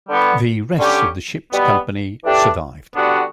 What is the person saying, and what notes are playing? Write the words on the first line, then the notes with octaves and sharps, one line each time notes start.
The rest of the ship's company survived.
D3 G3 B3
D3 G3 C#4 G4
B2 G3 B3
E3 A3 D4 G4
D3 G3 B3 D4 F#4